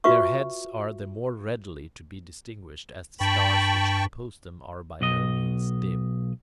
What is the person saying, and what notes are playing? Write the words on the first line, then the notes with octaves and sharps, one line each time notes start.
Their heads are the more readily to be distinguished as the stars which compose them are by no means dim.
F4 F#4 B4 E5 C#6
G2 G5 A5 B5 C#6
B1 D#5